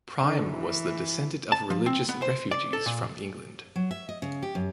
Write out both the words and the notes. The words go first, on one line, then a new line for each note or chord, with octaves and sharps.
Prime was the descendant of religious refugees from England.
D3
E3
A5
F3
C4
B3
C5
D5
A4
A#2
F#3
E5
D#5
C#3
G4
F#2